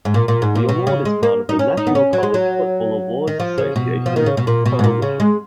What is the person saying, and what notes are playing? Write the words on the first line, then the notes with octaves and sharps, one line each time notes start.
The award is part of the National College Football Awards Association coalition.
G#2
A#2
A#2
G#2
A#2
B2
C#3
G#3
A#3
D#4
C#4
D#4
B3
C#4
F#3
G#3
F#3
D#3
F3
C#3
B2
F3
D#3
C#3
B2
A#2
B2
G#2
A#2
C#3
G#3